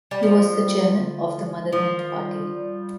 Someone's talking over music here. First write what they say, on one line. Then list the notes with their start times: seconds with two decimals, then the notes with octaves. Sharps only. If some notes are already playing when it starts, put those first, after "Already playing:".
He was the Chairman of the Motherland Party.
0.11 G3
0.23 F3 A#3
0.60 G3
0.97 D3
1.36 G#3
1.72 D#3 F3
2.10 G3
2.48 G3